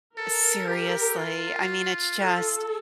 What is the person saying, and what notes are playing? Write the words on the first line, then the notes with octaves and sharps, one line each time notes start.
Seriously. I mean, it's just
A4 A#4
G4
F4
A4